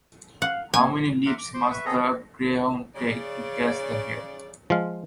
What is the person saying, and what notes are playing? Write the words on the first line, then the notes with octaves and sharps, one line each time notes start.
How many leaps must the greyhound take to catch the hare?
F5 F#5
A#3 G#5
E5 F#5 A#5 C6 D6 F6
D6
C5 C6 D6
B4 E5 C#6
B3 C4 G#4 A4 D#5 A#5
C#3 D5
F3 G#3 F5